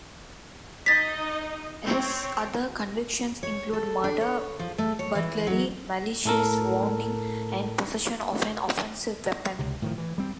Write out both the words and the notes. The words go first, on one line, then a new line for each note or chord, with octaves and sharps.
His other convictions include murder, burglary, malicious wounding and possession of an offensive weapon.
D#4 D#5 A6 B6
C4 C#5
C#5
A4
D4
C#5
F3
A3
C#5
E3
F#3
A2 A4 A#4
C#2 C3
A2 D#3 F3
E3
G3 C4